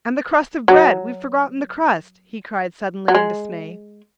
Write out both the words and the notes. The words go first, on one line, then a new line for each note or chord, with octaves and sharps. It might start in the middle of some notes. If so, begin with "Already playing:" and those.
"And the crust of bread, we've forgotten the crust!" he cried suddenly in dismay.
F#3
F#3
G#3